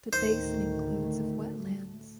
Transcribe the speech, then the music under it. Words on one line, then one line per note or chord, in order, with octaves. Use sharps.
The basin includes of wetlands.
D2 A2 D#3 A3 C5